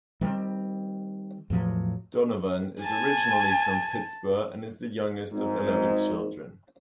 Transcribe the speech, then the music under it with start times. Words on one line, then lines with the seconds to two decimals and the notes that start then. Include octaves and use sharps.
Donovan is originally from Pittsburgh and is the youngest of eleven children.
0.21 D#3 G3 A3 C4
1.50 E2 A2 F3 F#3
2.83 G#5 A5
5.31 G#1 G#2